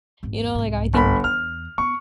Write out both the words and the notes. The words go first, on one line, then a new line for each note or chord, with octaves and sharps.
you know, like, I think,
G#1 E2
C2 G#2
G1 B5
E2 F6
B3 C#6